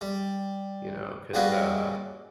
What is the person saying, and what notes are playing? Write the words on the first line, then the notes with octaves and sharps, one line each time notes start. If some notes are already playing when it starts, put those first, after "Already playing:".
you know? 'Cause, uh
G3
C#3 G3 A#3 F#4 G#4 B4